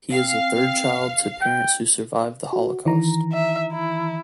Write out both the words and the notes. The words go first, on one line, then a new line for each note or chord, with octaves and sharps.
He is a third child to parents who survived the Holocaust.
C4 F5
G5
F#4
D#3 E3 A#5
E5
E4